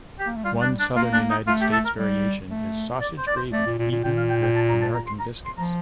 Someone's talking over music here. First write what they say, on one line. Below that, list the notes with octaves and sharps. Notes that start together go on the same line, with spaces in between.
One Southern United States variation is sausage gravy eaten with American biscuits.
G4
A#3
A3
G3 F4
D4
D4
A#3 F4
D4
D#4
A3 F4
G4
A4
A#4
G3
A3
D5
C5
D5
C5
A3 D5
A#2
A#2
A#2
A#2 G5
F5
G5
G5
A5
A#5
A5
A#5
C6
A#5
C6
F3 A#5